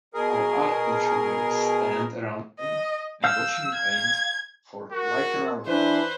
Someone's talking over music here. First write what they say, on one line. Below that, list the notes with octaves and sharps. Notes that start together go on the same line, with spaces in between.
Our art teacher made us stand around him and watch him paint for like an hour.
B2 G#4 A#4
D#5
F5 E6 F6 G6
G#6
F#4 A#4
E3 D4 B4 C5